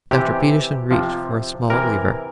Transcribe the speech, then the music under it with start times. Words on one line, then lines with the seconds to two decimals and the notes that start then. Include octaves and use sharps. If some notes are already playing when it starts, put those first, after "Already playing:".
Dr. Peterson reached for a small lever.
0.11 C3 E3 G4
0.91 C3 F3
1.70 C3 E3 A#4